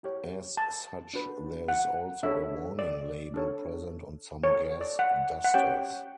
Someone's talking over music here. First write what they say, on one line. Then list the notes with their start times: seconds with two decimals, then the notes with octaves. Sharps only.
As such, there is also a warning label present on some gas dusters.
0.03 E4 G4 C#5
0.57 A5
1.13 D4 F#4 B4
1.68 F#5
2.23 D4 A4 C#5 E5
2.79 D5
3.34 D4 A4 C#5
4.44 E4 A4 C#5
4.81 D5
4.99 F#5
5.44 F#5
5.54 C#4 G4 C#5 G5